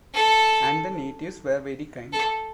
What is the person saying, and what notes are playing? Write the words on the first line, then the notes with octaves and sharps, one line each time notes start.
And the natives were very kind.
A4
A4